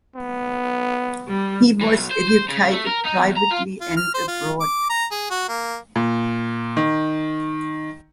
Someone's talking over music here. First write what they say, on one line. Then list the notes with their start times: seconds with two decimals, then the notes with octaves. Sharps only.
He was educated privately and abroad.
0.16 B3
1.28 G3
1.81 E3
1.95 B1
2.11 C5
2.28 C5
2.49 C#3
2.72 A3
2.87 A#4
3.05 D#4
3.17 E2
3.37 A#5
3.51 F4
3.81 F4
3.97 F6
4.14 C5
4.28 F4
4.61 D6
4.90 A#5
5.11 G#4
5.30 F#4
5.49 A#3
5.96 A#2
6.77 D#3